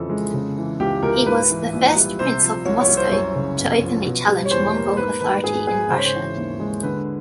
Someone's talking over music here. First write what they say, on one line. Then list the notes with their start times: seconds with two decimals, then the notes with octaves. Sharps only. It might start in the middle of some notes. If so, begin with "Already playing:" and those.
He was the first prince of Moscow to openly challenge Mongol authority in Russia.
Already playing: F2 C#3 E3 A4
0.10 G#3
0.34 C#3
0.57 E3
0.80 C#2 G4
1.03 C#2 A#4
1.26 G#2 B4
1.50 E3
1.73 A#1
1.95 G3
2.19 C3 C5
2.42 F3
2.65 C2 C#5
2.81 C#5
2.88 C2
2.97 C5
3.11 F#2 C#5
3.35 C#3
3.58 G1
3.82 F3
4.04 B2
4.28 G3
4.45 C#5
4.51 E2 C5
4.75 A#3
4.97 G#2 B4
5.21 D#3 B4
5.44 G#1 G#4
5.67 G#1 G#4
5.90 C#3 C5
5.98 C#5
6.05 C5
6.14 E3
6.37 D#2
6.60 G#3
6.83 D3 B4